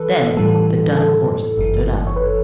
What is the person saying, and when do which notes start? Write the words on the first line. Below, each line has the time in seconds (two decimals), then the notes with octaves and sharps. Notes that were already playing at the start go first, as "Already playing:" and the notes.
Then the dun horse stood up.
Already playing: E3 A4 B4
0.37 A2 E3 G3 A4
0.55 A4
0.97 A4
1.14 A4
1.57 G1 F#2 E3
2.07 C#5
2.16 B4